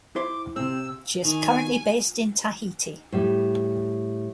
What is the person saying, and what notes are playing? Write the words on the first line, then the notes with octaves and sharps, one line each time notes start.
She is currently based in Tahiti.
E4 C5 C6 D6
C3 C4 E6
D#3 G#5
A2 G3